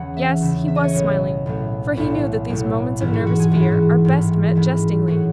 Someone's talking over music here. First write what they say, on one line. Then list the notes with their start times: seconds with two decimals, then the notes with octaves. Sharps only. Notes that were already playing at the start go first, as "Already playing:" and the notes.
Yes, he was smiling; for he knew that these moments of nervous fear are best met jestingly.
Already playing: E2 C#3 E3 F#5
0.17 E5
0.41 E2 C#3 E3 E5
0.68 E5
0.76 D#5
0.83 C#5
0.92 B1 A2 F#3 D#5
1.46 B1 A2 F#3
1.97 B1 A2 F#3 E4
2.49 B1 A2 F#3
3.00 A1 G#2 E3 E4
3.14 F#4
3.27 F#4
3.40 G#4
3.51 A1 G#2 E3 F#4
3.62 E4
3.72 F#4
4.05 A1 G#2 E3
4.55 A1 G#2 E3 E4
5.08 A2 F#3 F#4